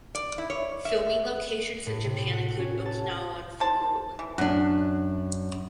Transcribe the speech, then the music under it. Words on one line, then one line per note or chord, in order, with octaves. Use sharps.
Filming locations in Japan include Okinawa and Fukuoka.
D5
E4
C#5
E5
A2
C3
A2
F#5
C#4
A5
C5 A5
E3
F#2 D4 F#4